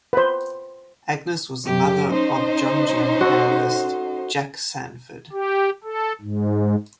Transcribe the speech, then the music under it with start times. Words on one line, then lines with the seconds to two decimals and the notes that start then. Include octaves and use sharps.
Agnes was the mother of Jungian analyst Jack Sanford.
0.13 B4 C5
1.65 F#2 G4
2.10 C#4 D#4 C5
3.20 F#4 A4
5.33 G4
5.83 A4
6.22 G#2